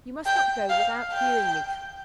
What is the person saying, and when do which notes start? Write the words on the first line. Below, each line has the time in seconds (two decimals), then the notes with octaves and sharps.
You must not go without hearing me.
0.26 G5
0.70 F5
1.13 G5